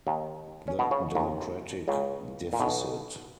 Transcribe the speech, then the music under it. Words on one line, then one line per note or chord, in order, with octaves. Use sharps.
The democratic deficit.
D#2 D#3
C#4
B2 B3
C#3 C#4
D#2 D#3
C#2 C#3
A#2
B1 B2